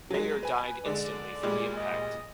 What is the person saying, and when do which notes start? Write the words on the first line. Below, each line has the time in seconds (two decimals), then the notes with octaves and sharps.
Mayer died instantly from the impact.
0.11 F#3 G#3
0.43 B4 G#5
0.85 D3 G#3 D5
1.43 A#2 G3 G#3
1.76 D#5